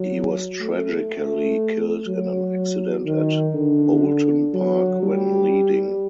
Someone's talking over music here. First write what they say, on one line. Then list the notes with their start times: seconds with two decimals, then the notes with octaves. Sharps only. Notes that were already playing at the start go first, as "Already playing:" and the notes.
He was tragically killed in an accident at Oulton Park when leading.
Already playing: F#3
0.60 A3
2.07 F#3
3.05 D#3
3.55 D3
4.54 F#3
5.02 G3